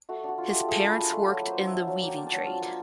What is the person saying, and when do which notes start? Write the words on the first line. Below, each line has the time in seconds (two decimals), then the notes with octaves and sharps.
His parents worked in the weaving trade.
0.09 A3 F#4
0.24 D4 F#4
0.38 F4
0.48 A3 G4
0.68 A3 G#4
0.84 D4 B4
0.98 F4
1.08 A3 B4
1.28 F#3
1.42 A#3
1.48 C5
1.58 D4
1.67 E5
1.73 F#3
1.87 F#3 F5
2.02 A#3 G5
2.17 D4
2.27 A5
2.32 F#3
2.46 F3 F5
2.61 A#3